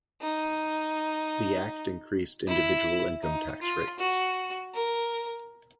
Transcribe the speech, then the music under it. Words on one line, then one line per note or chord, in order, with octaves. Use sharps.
The Act increased individual income tax rates.
D#4
E4
D#4
F4
F#4
A#4